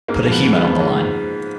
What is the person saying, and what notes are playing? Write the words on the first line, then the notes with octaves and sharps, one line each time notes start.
Put a human on the line.
G#2 A#3
F3
B3
G#2
F3 B3
G#2